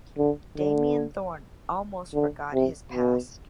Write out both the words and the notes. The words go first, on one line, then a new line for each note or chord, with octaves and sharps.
Damien Thorn almost forgot his past.
D3
D3
D3
C3
B2